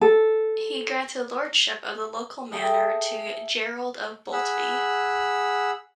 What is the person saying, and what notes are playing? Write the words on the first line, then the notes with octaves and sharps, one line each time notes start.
He granted Lordship of the local manor to "Gerald of Boltby".
A4
G#4 A4 E5 G5
G#4 F#5 B5 E6